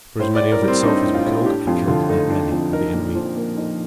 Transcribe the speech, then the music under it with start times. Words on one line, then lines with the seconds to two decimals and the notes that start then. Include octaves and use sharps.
For as many of itself as were killed, it killed that many of the enemy.
0.19 A2 C5
0.35 D5
0.41 A2
0.52 A#4
0.61 G3
0.68 C4
0.83 D4 D#4
1.04 A2
1.14 F4
1.26 A2
1.46 D4 G4
1.67 F2 F4
1.88 D3 F4
2.09 A3 D#4
2.30 D4
2.52 F2
2.73 D#4 A#4
2.94 A#2
3.15 F3
3.36 A#3
3.57 D#4